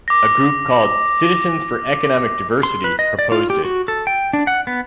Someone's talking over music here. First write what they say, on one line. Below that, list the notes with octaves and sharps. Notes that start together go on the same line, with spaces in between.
A group called "Citizens for Economic Diversity" proposed it.
D6 A#6
C6
B4
D#5
D5
F4
G4
F#4
A4
G5
D4
F#5
B3